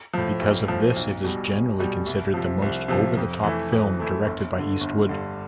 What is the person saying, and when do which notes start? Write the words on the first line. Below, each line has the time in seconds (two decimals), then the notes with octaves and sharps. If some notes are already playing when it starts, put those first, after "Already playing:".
Because of this, it is generally considered the most over-the-top film directed by Eastwood.
0.14 A2 F3
0.41 B1
0.68 A2 F3
0.96 B1
1.24 B2 G3
1.51 B1
1.79 B2 G3
2.06 C2
2.34 C3 F3
2.62 C2
2.88 C3 F3
3.17 F2
3.43 E3 A3 E4
3.72 F2
3.99 E3 A3 E4
4.26 G1
4.54 G2 D3
4.81 G1
5.09 G2 D3